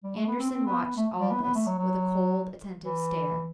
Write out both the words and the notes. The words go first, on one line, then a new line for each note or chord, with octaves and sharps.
Andersen watched all this with a cold, attentive stare.
G3
A3
B3
C4
C4
B3
B3
A3
G3
B3
B3
A3
F#3
F#3
E3